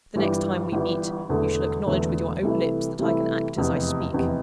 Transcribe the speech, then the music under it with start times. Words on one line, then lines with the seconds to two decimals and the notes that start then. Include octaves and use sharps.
The next time we meet, you shall acknowledge with your own lips that I can act as I speak.
0.16 G1 G2 E3 G3
0.72 G1 G2 E3 G3
1.28 E1 E2 D3 A3
1.86 E1 E2 D3 A3
2.43 C2 C3 E3 A3 E4
2.99 C2 C3 E3 A3 E4
3.56 F1 E2 C3
4.13 F1 E2 C3